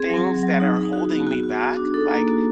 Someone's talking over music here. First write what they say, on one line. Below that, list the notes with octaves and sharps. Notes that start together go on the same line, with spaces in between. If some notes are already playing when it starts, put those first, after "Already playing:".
things that are holding me back, like,
Already playing: C4 G#4
F#3
F#3
F#3
D#4
D#4
F#4
B3
F#4
F#4
F#4
D4
D#4 A4
A#3
F#4